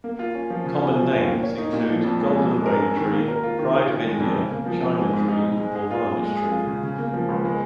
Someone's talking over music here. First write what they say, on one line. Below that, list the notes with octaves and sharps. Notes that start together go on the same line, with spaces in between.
Common names include goldenrain tree, pride of India, China tree, or varnish tree.
A#3
F4
C#4
F3
C#3
C#4
F3
D#2
A#3
C#5
D#4
A#2
F3
F2
G#3
F2
G#3
A#4
C#4
D#3
A#3
A#4
F4
D#3
D#3
C#4
G#3
F2
C#3
A#3
F3
F2
G#3
G#2
D#4
G#2
G#3
G#4
F4
A#2
G#3
G#4
F4
C#3
C#3
A#3
F3
C#2
G#3